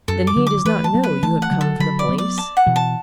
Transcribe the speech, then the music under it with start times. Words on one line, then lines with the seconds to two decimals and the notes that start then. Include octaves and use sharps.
"Then he does not know you have come for the police?"
0.08 F#2 A4
0.27 D6
0.36 D3 F#3
0.47 D6
0.57 F#3
0.65 E3 A3 B4
0.84 A5
0.94 F#3 B3
1.03 B4
1.23 E3 A3 A5
1.42 F#5
1.51 D3 F#3
1.61 A4
1.80 D3 F#3 B5
1.99 D5
2.09 F#3 B3
2.18 D5
2.38 A5
2.57 F#5
2.66 B2 E3
2.76 A5